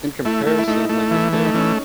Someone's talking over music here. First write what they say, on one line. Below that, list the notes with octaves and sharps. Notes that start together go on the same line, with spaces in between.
in comparison, like if they're
A3 E4
A3
E4
A3 D#4
A3
E3
A3
D#4
E3 C#4